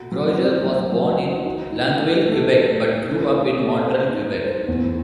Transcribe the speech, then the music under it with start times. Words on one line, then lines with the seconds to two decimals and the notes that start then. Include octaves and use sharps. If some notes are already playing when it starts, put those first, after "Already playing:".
Brodeur was born in Longueuil, Quebec, but grew up in Montreal, Quebec.
Already playing: F#4
0.12 F#3
0.38 C4
0.65 F#3
0.92 F#3
1.18 F#4
1.45 D#4
1.72 D#4
1.99 A3
2.26 A3
2.53 D#4
2.80 A3
3.07 A4
3.34 C5
3.60 A4
3.87 C5
4.14 D#4
4.41 C5
4.68 E2